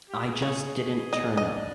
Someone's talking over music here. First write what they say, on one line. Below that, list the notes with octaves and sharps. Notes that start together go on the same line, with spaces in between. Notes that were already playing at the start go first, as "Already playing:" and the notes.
I just didn't turn up.
G4
G#4
G#4 C#5
D#5
D4 D#5